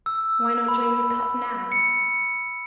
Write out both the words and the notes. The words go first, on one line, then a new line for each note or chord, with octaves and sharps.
Why not drain the Cup now?
E6
B5
C#7